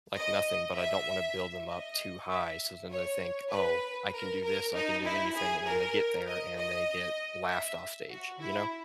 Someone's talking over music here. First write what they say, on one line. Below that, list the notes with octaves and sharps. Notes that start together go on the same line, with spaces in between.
like, nothing, but I don't wanna build them up too high, so then they think, "Oh, I can do this, I can do anything," and then they get there and they get laughed off stage, you know?
D#5
E5
D#5
E5
C#5
B4
A#4
A#4
D#4
E4
G#4
A#4
D#5
D#5
E5
F#4
E4